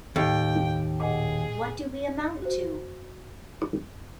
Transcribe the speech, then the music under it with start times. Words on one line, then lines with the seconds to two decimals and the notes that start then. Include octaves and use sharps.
What do we amount to?
0.16 D#2 A2 G5
1.00 A#2 G#4 D#5 F#5
2.42 F#4 C5